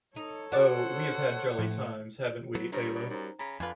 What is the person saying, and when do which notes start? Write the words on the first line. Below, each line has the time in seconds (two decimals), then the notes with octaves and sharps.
Oh, we have had jolly times, haven’t we, Ayla?
0.16 D#4 A4 C#5
0.52 F#4 C5 D5 F#5
1.59 A2 F3
2.55 F#3 B3
2.72 G2 G3 D4 A#4 C#5
2.96 B2
3.10 F#2 D#4 C5 A#5
3.39 C#3 A#5 B5 B6
3.60 F2 D3 F4 B4 G#5